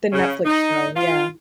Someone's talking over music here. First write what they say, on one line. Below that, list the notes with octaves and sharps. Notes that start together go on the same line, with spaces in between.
The Netflix show, yeah.
C#3
D#4
F4